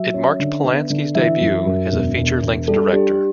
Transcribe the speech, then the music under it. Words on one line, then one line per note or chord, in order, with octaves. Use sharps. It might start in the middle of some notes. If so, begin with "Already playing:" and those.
It marked Polanski's debut as a feature-length director.
Already playing: F#3 E5
C#4
D3
B3
D3
E3 E5
F#2
F#2
E1
E1
E1
G3 A4
D4 G4